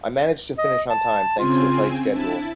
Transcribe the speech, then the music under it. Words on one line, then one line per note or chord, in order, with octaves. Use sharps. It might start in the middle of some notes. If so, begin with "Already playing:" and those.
I managed to finish on time thanks to a tight schedule.
D#5
A5
C#3 C4 F4 G#5
D4 E4 A5